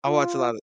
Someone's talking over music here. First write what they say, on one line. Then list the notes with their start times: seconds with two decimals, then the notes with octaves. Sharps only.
I watch a lotta
0.05 F4